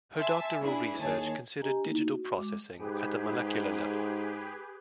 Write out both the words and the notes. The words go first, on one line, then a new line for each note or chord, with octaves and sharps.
Her doctoral research considered digital processing at the molecular level.
E5 G#5 A5 C6 E6
D4 E4 G#4 B4
D#2 G#4 C#5 A5
D4 G4 B4 D#5 G#5 A#5
A3 A#3 D#4 E4
F#4
G#3 D6
G#2 G4 G#4 B4